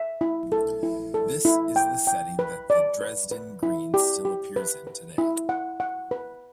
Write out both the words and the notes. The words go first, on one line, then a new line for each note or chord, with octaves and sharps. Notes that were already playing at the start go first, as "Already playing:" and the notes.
This is the setting that the Dresden Green still appears in today.
Already playing: E5
E4
A4
E4
A4
E4
G5
G5
B4
D5
B4
B4
E4
G4
G4
B4
B4
E4
F#5
F#5
B4